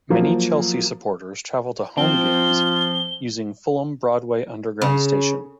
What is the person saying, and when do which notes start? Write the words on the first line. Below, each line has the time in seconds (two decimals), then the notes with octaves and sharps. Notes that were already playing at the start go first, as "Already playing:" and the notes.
Many Chelsea supporters travel to home games using Fulham Broadway Underground Station.
0.10 F3 F#3 A#3
1.98 F3 C4 F4 G7
4.82 C#3